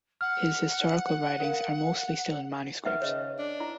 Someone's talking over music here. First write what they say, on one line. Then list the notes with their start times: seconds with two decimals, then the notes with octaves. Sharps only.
His historical writings are mostly still in manuscript.
0.21 F#5 F6
1.40 A#4 F5
2.85 D#3 B4 E5 F#5
3.02 C#3 C#5 D#5
3.38 D4
3.60 E4